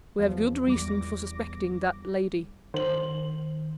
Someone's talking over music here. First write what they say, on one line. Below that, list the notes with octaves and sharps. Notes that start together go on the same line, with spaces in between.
We have good reasons for suspecting that lady.
E2 F3
E2 G3 D6 A#6
D#3 C5 F#7